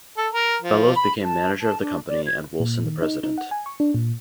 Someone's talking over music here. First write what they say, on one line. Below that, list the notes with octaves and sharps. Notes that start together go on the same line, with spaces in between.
Fellows became manager of the company and Woolson the president.
A4
A#4
F3
B5
A5
A5
D4
D5
G#6
A#2
D#3
D#4
D#4
F#5
G#5
C#6
D4
A#2